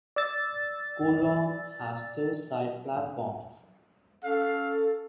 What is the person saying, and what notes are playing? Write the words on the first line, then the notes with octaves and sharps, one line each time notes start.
Kooyong has two side platforms.
D5 E6 A6
C#4 A4 F5